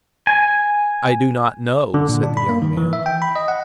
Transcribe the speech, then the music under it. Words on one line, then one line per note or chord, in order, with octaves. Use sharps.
"I do not know," said the young man.
G#5
D3
A#2
D4
B5
A#3
D#3
E3
E5
G5
B5
D#5
F#5